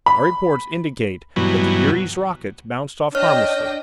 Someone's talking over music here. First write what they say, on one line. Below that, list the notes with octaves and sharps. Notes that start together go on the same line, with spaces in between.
Our reports indicate that the Eries' rockets bounced off harmlessly.
B5
G2 B2 E3 F#3
D4 C#5 D#5 G5 F6